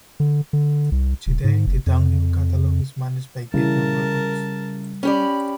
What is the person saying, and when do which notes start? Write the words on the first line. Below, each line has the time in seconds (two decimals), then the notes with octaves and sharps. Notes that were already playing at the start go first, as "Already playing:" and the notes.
Today, the Dunhill catalogue is managed by Geffen Records.
0.20 D3
0.53 D3
0.92 C2
1.26 D#1
1.44 G#2
1.67 F#1
1.86 F2
3.54 C#3 E3 G3 A#4 A5
5.03 C#4 G4 D5 B5